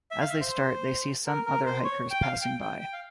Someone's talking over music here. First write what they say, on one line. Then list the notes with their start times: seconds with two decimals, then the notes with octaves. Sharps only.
As they start, they see some other hikers passing by.
0.11 E5
0.21 F5
0.30 E5
0.40 C5
1.27 A#4
1.46 A#4
1.66 C5
1.84 C#5
2.11 G5
2.22 F5
2.42 G5
2.61 G5
2.80 G5
2.93 F5